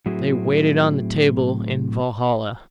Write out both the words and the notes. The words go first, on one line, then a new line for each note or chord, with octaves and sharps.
They waited on the table in Valhalla.
A2 F#3 C4 E4 F#4 G#4